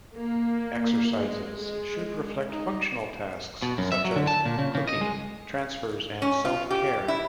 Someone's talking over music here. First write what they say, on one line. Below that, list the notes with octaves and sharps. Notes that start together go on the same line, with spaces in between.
Exercises should reflect functional tasks such as cooking, transfers and self-care.
A#3
G#3
G#3
D#4
B2
F#2
E5
F#3
D3
A5
A#2
C#3
C#3
D#5
G#3
C#4
F4
G4
E4